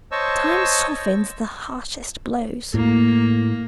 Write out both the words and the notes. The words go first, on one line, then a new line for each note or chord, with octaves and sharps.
'Time softens the harshest blows.
C5 C#5 D#5 A5 C#6 E6
A2 A#3